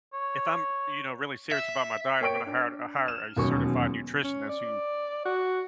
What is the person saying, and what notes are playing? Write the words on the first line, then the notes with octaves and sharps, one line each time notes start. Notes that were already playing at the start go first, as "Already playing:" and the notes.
if I'm, you know, really serious about my diet, I'm gonna hire hire a certified nutritionist who,
C#5
E5
A#3 C#5 G5 C#6 D7
D4
F6 E7
E1 D#2 B2 F#3 C#4 C#6
C#4
D5
F#4